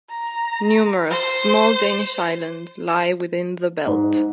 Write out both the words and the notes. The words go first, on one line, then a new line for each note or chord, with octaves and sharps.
Numerous small Danish islands lie within the belt.
A#5
C5
G#2